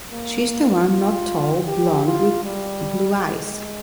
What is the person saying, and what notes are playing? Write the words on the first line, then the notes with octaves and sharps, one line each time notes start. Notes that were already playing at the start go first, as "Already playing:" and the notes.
She is the one not tall, blond with blue eyes.
A#3
F4
G4
F4
G3
G#3